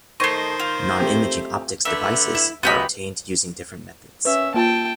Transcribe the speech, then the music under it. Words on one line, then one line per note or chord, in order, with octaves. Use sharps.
Nonimaging optics devices are obtained using different methods.
D#3 A3 C5 D#5 C#6 G#6 C7
F4
A3 C4 G4
D3 A3 B3 E5 E7
E4
C#2 F#2 B3 G4 D#5 B5
C#4 B4 E5
A#3 F4 G5 A5